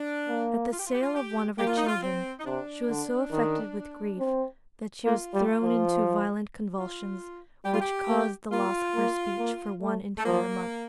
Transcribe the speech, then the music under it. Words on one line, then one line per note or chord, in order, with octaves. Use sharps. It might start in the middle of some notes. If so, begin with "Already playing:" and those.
At the sale of one of her children she was so affected with grief that she was thrown into violent convulsions, which caused the loss of her speech for one entire month.
Already playing: D4
A#3
F4
G4
F4
G4
F4
G4
A#3 G4
F4
D#4
F4
C4
D#4
C3 D4
D3
D#3
C4
A#3 F4
G3
F3
F4
G3 G4
F4
G4
A#3
A#3 F4
A#3
A#3
A3
A3
F3 A#3